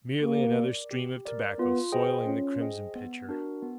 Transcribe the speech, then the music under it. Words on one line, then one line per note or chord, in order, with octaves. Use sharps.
Merely another stream of tobacco soiling the crimson pitcher.
A#3 G4
A#4 D5
G4
A#4 D5
B3 F4
G#4 C5 D#5 G5
C#4 F4
G#4 C5 D#5 G5
B3
D4 F#4 A#4
B3